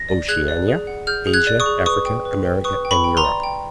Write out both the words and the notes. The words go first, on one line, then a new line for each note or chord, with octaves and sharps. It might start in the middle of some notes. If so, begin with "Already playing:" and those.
"Oceanica, Asia, Africa, America, and Europe."
Already playing: A#6
D5
G#4 F#6 G#6
D5
G#4
F#5
G#4 F6 G6
G#4
F#6 G#6
D5
C#6 D#6
G#4
B4 C#6 D#6
G5
B4
G5
B4 C#6 D#6
G5
B5 C#6
G5
A#5 C6
D5
G5